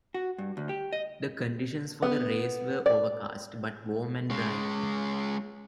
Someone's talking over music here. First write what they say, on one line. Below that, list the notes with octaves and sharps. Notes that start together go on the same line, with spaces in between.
The conditions for the race were overcast, but warm and dry.
F#4
G2
D2
G4
D#5
B3
D5
G#3 C#4